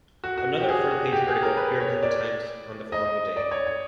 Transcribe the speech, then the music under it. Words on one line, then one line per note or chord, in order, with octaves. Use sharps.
Another front page article appeared in the "Times" on the following day.
F#4
F#4
G4
G#4
F#4
G4
G#4
A#4
B4
C#5
D5
D#5
D5
C#5
C#5